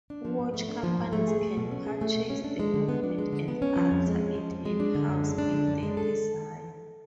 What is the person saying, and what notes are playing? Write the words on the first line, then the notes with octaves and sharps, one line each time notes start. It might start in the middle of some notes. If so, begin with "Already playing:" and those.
Watch companies can purchase the movement and alter it in house if they desire.
D4
F3
G#2
A3
D4
F3
G#2
A3
G#4
A3
B2
C#4
G#4
A3
B2
C#4
D4
G#3
D3
B3
D4
G#3
D3
B3
C#4
F3
F2
G#3
C#4
F3
F2
G#3
D4
D3
F#2
G#3
D4
D3
F#2
G#3
A4